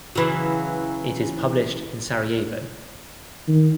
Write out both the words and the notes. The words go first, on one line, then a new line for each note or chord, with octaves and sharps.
It is published in Sarajevo.
C#3 E3 F#3
D#3